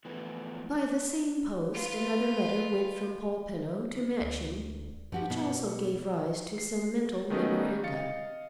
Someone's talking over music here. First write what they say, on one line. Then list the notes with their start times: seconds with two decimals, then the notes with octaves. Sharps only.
By the same post another letter went from Polpenno to Matching which also gave rise to some mental memoranda.
0.05 E3 F3 A3 B3
1.74 F4 B4
4.21 D2
5.12 G2 F3 F#4 G4
5.30 B2 B3
6.58 C7
7.30 D#3 A3 B3 C#4 D#4
7.83 D#5 F5 A6 C#7